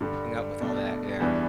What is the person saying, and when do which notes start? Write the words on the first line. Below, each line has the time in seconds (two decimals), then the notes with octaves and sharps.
keeping up with all that, yeah.
0.01 G2 D3 G3
0.60 B2 A3 D4
1.20 E2 E3 G3 B3 D4